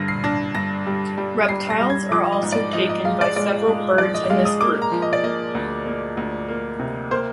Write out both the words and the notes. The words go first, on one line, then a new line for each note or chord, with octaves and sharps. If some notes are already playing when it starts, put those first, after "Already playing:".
Reptiles are also taken by several birds in this group.
Already playing: G2 D3 F6 A#6
C7
D4 A#6
G2 A#6
G3
G3
G3 C7
A#6
G3
G#6
F3 D6
D#5
G#2
D5
F3 D#5
D#5
G#3 F5
D5
G#3 D5
G#3
F3 D5
D#5
G#3 F5
D#6
A#3 D6
A#5
F3
D#5
D5
A#3 D#5
D2
A#3
D2
A#3
C3
A#3 C5